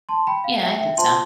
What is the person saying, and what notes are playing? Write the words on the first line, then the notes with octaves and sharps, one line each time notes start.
Yeah, I think so.
A5 C6
G5 B5
F5
E5 G5
E5 G5
F4 C5 A5 C6